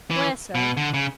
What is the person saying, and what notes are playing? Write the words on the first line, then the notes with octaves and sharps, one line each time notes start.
"Where, sir?"
E3
B2
D3
C#3